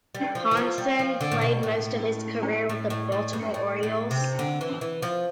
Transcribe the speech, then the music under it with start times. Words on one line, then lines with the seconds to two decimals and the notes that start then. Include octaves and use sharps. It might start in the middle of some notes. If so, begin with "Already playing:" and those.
Ponson played most of his career with the Baltimore Orioles.
0.15 G3
0.35 F3
0.51 E3
0.57 F3
0.78 G3
0.99 F3
1.21 D3
1.32 A2
1.41 B2
1.63 A2
2.69 A2
2.90 A2
3.12 A2
3.33 G2
3.54 A2
3.83 A2
4.11 C3
4.39 D3
4.61 E3
4.81 E3
5.02 F3